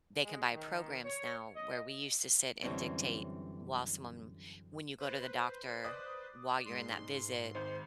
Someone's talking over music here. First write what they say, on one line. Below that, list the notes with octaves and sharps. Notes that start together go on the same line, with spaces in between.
They can buy programs now where we used to sit and dictate while someone When you go to the doctor, while you're in that visit,
G#3
D#3
C#5
D#5
F#2 D3 E3 G3 C4 C#4
B4 C5
D5 D#6 F#6
G#2 C6
G#1 C5